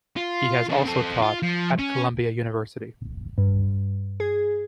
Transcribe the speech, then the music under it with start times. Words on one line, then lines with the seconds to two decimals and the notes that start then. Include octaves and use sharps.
He has also taught at Columbia University.
0.16 F4
0.70 C#3 D4
0.86 C4 A4
1.22 F4
1.42 F3
1.79 C#4
3.38 G2
4.20 G#4